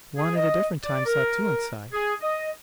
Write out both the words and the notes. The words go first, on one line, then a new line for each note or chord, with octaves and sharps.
One at a different time saw two inside.
G#4
D#5
D5
A#4
G#4
D#5